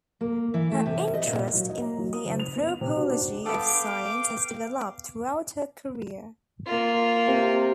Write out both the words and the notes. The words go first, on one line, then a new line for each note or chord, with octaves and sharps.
Her interest in the anthropology of science has developed throughout her career.
A#3
E3
A3
C3
D#5
A#2
F#3
D#5
A#5
F#3
D#6
F#1
F7
B3
F7
C3
F#4
D4
B3 A4 F5 G5 D6
A#3 F4
C3